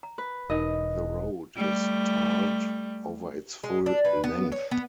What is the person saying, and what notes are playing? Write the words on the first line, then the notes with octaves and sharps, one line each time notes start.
The road is tarred over its full length.
A#5
B4
E1 D#4 A#4 D#5
G3 A3
G#3
D4
B4
B3
C#5
B3